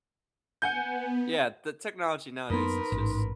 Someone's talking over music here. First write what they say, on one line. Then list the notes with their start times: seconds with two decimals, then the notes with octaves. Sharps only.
Yeah, the technology, nowadays, is just
0.62 B3 F#5 G#5 G6
2.50 F#2 A#3 B3 D#4 A#4 B4 C6
2.92 A1 G#2